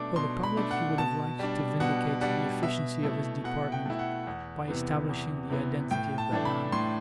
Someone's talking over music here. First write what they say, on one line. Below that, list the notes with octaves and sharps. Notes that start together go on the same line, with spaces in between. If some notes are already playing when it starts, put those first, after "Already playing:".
Before the public he would have liked to vindicate the efficiency of his department by establishing the identity of that man.
Already playing: B2 A3 D4 D6
B2 C6
B5
A3 D4
F#5
B2 A5
G3 D4
B2 F#5
G3 D4 F#5
B2 E5
A3 E4
B2 F#5
G5
A3 E4
F#5
E2
C3 E3 B3
E2
C3 E3 B3
A2 G5
A5
E3 A3 D4
B5
A2 C6